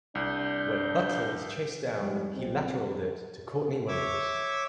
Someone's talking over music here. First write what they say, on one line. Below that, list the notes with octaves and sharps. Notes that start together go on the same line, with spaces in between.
When Butler was chased down, he lateraled it to Courtney Williams.
C2 D4 G6
F2 G#2 G3
B1 C4
C#5 E5 D6 E6